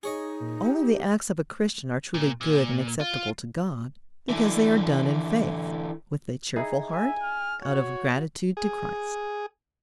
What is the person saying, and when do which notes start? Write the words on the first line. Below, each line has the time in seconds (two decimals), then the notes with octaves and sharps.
Only the acts of a Christian are truly good and acceptable to God, because they are done in faith, with a cheerful heart, out of gratitude to Christ.
0.03 D#4 G#4 C#5 D#5
0.40 A#2
0.64 G4
2.14 A#2
2.41 A#2
3.01 F4
4.29 D3 E3
6.56 D#4 E4 G#4
6.91 E5 G#5
7.23 F6
7.63 F#4 C#5
8.57 G#4